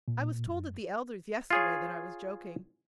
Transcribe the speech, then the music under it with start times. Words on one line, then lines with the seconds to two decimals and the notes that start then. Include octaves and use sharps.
I was told at the elder's yesterday that I was joking.
0.08 A#2
0.47 F#2
1.51 F4 G#4 C#5